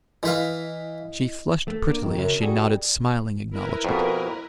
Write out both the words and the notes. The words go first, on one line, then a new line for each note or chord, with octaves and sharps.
She flushed prettily as she nodded smiling acknowledgement.
E3 E4 B4 D#5 F5
A3
A#3 D4
F2 D#3
F#2 C#3
G3 F#4 G#4 A4
E4 A#4 B4
F2 B2